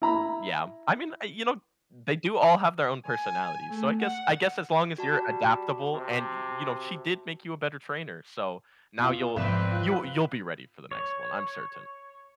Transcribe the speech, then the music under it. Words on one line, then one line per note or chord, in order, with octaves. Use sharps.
Yeah, I mean, uh, y you know, they do all have their own personalities, so I guess I guess as long as you're adaptable, and you know, she did make you a better trainer, so now you'll you'll you'll be ready for the next one, I'm certain.
E4 A#5 B5
G#5
A3
F#5
G3 F#4 A5
C3
B2 F4
C2 G#2 F3 C4 B4 D5 E7
F4 F#6
C#5